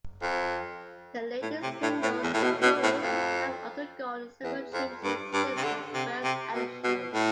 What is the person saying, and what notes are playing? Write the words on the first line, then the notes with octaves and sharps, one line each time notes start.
The Ladies' Singles' rules have undergone several changes since the first edition.
F2
A2
C3
A2
A2
E2
A2
B2
B2
A2
F2
E2
F2
G2
G2
C3
D3
C3
C3
B2
B2
A2